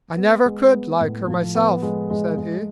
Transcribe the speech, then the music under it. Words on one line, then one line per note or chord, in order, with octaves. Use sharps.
'I never could like her myself,' said he.
B3
G#3
B3
A2
F3
B3
G#3
G#3
G#3